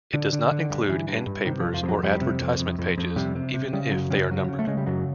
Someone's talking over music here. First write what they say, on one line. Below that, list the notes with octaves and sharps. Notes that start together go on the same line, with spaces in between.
It does not include end papers or advertisement pages, even if they are numbered.
D3
D3
D3
G2
G2 E3
G2
G2
C3 D#3
F3
F2
F3
F2
F#3
F2 G3
C3
F2
F2
F2
F2
C3 G3
C3
C3
C#3 G3
F#2 F#3
C#3 G3
C#3 F#3
C#3
A3
C#3 G#3
G3
F#2 F#3